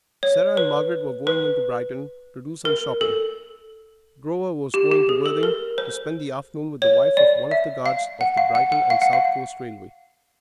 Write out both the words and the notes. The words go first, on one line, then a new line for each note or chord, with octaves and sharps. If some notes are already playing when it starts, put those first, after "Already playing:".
Sarah and Margaret were going into Brighton to do some shopping, Grover was going to Worthing to spend the afternoon with the wife of one of the guards of the Brighton and South Coast Railway.
C#5
B4
B4
A#4
A4
G4
G4
G#4
A4
A#4
C5
C#5
D5
E5
F5
F#5
F5
F#5
F#5
F5
F#5
F5